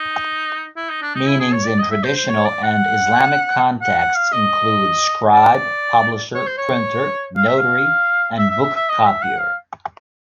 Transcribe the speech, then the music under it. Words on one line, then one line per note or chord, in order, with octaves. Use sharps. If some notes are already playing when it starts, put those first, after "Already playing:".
Meanings in traditional and Islamic contexts include "scribe", "publisher", "printer", "notary" and "book-copier".
Already playing: D#4
E4
D#4
D4
D#4
E4
G#4
C#5
D5
D#5
E5
C5
C5
C#5
D5
F#5
F#5
F#5
F5
D#5
D5
C#5
C5
C#5
F5
E5
F5
E5
E5
E5
E5
D#5
E5
F#5
F5